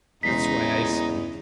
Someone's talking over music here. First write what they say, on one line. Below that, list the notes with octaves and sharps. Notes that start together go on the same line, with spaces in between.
That's why I speak.
E2 C#3 G#3 D#4 B6 C7